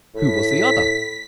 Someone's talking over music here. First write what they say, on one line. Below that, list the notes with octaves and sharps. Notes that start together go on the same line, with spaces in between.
Who was the other?
A2 B6